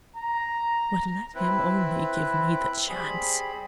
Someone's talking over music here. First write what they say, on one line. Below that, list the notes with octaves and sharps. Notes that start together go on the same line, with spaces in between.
But let him only give me the chance!
A#5
C4 E4 B4
G3 C4 G#4 B5